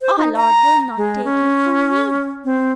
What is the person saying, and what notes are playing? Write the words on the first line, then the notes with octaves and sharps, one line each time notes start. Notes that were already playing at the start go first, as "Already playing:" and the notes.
"Our Lord will not take him from me!"
C5
D#4
A#5
G#3
C#4
C4